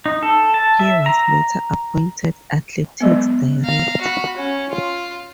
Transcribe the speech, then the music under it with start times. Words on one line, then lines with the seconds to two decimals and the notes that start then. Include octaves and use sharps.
He was later appointed athletics director.
0.06 D#4
0.23 A4
0.54 A5
0.79 E5
1.06 A#5
3.01 F#3 G#3 B3
3.64 F5 A#5
4.01 F#4 B5
4.37 C#4
4.72 F4